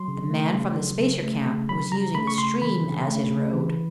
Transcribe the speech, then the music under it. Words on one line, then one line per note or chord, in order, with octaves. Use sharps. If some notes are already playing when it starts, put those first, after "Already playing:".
The man from the spacer camp was using the stream as his road.
Already playing: F#3 C6
C#3
A3
C#3
F#3
C#3
A3
C#3
F#3 B5
C#3 A#5
A3 B5
C#6
C#3 C6
E3 B5
C#3
A3
C#3
E3